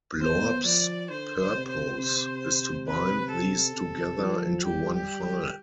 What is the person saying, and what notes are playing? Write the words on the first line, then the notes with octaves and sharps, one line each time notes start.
Blorb's purpose is to bind these together into one file.
B3 C5
F3 D5
D3 C5
C5
C3
C5
C3
B4
A4
C3
F3
G3 G4
G4
G4